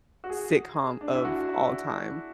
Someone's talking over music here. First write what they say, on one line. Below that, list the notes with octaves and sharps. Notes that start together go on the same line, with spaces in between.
sitcom of all time.
F#4
G#4
D4
E4
F#4